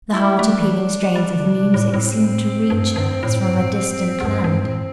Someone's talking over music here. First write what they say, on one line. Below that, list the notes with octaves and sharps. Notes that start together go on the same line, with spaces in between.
The heart-appealing strains of the music seemed to reach her, as from a distant land.
E4
A3 D4
G3
E3
G3
G3
D3
C3
A2
A2 C4
G2
G2
A2
G2
A2
E2
G2
G2
A2